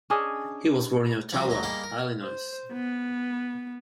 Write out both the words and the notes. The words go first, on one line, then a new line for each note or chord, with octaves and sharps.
He was born in Ottawa, Illinois.
C#4 D4 G#4 D#5
F3 G3 C4 F4 F#4
D2 F#3 D#4 A#5
G3 G#3 A#3 D#4 F5 A5
A#4
C5
B3